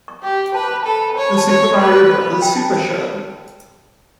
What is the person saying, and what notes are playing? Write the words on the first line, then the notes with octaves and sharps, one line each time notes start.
The Super Mario Brothers Super Show!
C#6
G4 C#6
B4 A5
B5
A4 A5
B5
A5
C#5
B5
A5
C#5
B4 B5
C#6
B5
B5
G5
A5